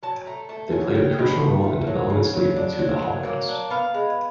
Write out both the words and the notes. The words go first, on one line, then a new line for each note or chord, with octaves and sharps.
They played a crucial role in developments leading to the Holocaust.
F#3 A5
A3 A#5
A3 A5
F#3 G#5
F#3 G5
B2
A3
A3
F#3
C#3
F#3
D4
F#3
F#3
A#3
D4
B3 F5
G#3